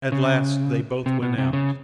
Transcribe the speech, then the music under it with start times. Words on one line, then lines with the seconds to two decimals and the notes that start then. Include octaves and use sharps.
At last they both went out.
0.12 C#3
1.06 C3
1.22 B2
1.38 C3
1.53 C#3